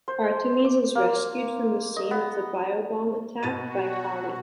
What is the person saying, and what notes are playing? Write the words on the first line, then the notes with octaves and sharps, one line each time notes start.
Artemis is rescued from the scene of the bio-bomb attack by Holly.
C5
D6
A#3
D#5
B3
B2 F#4 A6 D#7